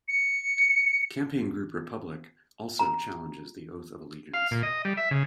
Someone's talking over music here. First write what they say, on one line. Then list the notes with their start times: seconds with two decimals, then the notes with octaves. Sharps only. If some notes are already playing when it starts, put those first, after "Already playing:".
Campaign group 'Republic' also challenges the oath of allegiance.
0.08 C#7
2.79 A#5
4.34 F5
4.51 A#2
4.63 D#5
4.85 G3
4.97 E5
5.11 C#3